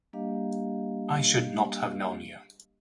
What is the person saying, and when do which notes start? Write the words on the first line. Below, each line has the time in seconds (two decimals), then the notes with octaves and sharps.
I should not have known you.
0.13 G3 A#3 D4 G4 D#5 F5